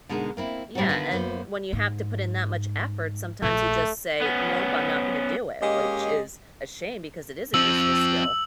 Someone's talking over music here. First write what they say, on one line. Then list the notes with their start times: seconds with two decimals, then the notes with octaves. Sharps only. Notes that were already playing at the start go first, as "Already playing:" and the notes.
Yeah, and when you have to put in that much effort, sometimes you just say, "Nope. I'm not gonna do it," which is a shame because it is a useful skill.
0.09 B2 D3 G#3 D#4 A#4
0.37 A#3 C4 E4
0.75 A2 C3 G3 C4 D#4 F#4
0.89 D3 D#3 B3 F4
1.11 F#2 A#3 B3 C5
1.73 G#2
3.42 A#1 A3
4.21 B3 C#4
5.61 G#3 A#3 C#4 G4 D#5
7.54 F3 C4 E6 F#7